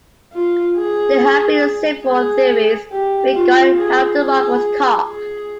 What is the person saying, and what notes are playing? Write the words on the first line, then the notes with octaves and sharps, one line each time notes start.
There have been several theories regarding how the rock was carved.
F4
G#4
G#4
G4
F4
G#4
G#4
G#4